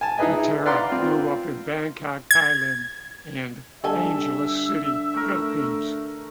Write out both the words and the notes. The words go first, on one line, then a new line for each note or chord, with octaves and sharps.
Matera grew up in Bangkok, Thailand, and Angeles City, Philippines.
G#5 A5
D#4 E4 G#4 B4 D#5 G#5
B4 D5 F5 F#5 A#5 C6
C4 F4
G#6
D3 G3 A4 E5 G#5
A3 A#4